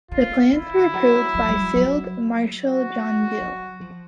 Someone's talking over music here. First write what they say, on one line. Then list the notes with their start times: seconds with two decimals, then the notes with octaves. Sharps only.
The plans were approved by Field Marshal John Dill.
0.11 C#3 F4
0.52 D3 E4
0.94 F#3
1.35 F#3
1.49 G3
1.62 F#3
1.76 F#3
2.59 F#4
3.41 F#3
3.81 F3